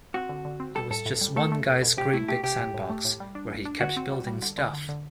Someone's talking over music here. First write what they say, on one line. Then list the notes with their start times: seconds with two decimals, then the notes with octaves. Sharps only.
It was just one guy's great big sandbox, where he kept building stuff.
0.14 C4 F#4
0.29 D3
0.45 D3
0.60 C4
0.75 G3 A4
0.91 A2 A4
1.06 A2
1.21 G3
1.36 A3 A4
1.52 A3
1.67 B2
1.83 B2
1.97 C3 G4
2.13 A3 E4
2.28 A3 G4
2.43 C3 G4
2.59 A2
2.74 A2
2.90 A3
3.05 A2
3.20 G3
3.35 D4
3.50 A1
3.65 D4
3.81 D3 F#4
3.97 C4
4.12 G3
4.27 G3
4.42 D3
4.58 D3
4.74 D3
4.89 D3